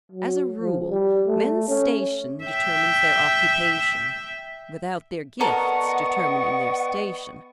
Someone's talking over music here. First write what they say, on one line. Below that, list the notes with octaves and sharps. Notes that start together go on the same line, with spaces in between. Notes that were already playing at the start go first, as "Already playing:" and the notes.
As a rule, men's station determines their occupation without their gifts determining their station.
F#3
F3
G3
A3
C#4
E5 G5
B3 A4 A#4 D5 D#5 F#5 C#6